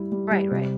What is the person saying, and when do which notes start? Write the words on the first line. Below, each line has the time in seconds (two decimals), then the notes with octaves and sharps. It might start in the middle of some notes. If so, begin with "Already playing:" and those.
Right, right.
Already playing: G3 E4
0.12 G3
0.31 G3
0.51 C3